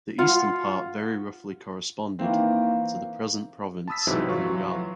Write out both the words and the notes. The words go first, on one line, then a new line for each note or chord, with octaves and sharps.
The eastern part very roughly corresponded to the present province of Mongala.
F4 F#5
D#3 E3 A#3 C4
A5 B5 D#6 E6 B6
B1 G#2 C3 E3 F#3
E3 F#3 F4 C#6